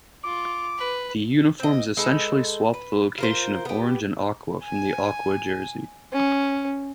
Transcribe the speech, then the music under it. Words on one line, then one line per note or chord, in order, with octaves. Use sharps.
The uniforms essentially swapped the location of orange and aqua from the aqua jersey.
F4 D6
B4
C4 D#5
G#3 D#4 A4 B4
B4
F4 A#4 C5
B3 G4
G#5
C#4